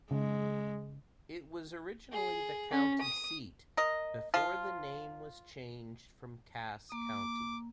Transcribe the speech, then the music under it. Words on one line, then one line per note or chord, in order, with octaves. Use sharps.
It was originally the county seat before the name was changed from Cass County.
C#3 G#3
G#4
C#4
D#6
A#4 D#5
F3 F4
A#3 D6